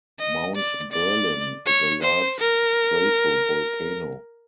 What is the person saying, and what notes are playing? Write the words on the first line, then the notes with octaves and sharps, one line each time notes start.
Mount Berlin is a large stratovolcano.
D#5
D5
D5
C#5
C5
A#4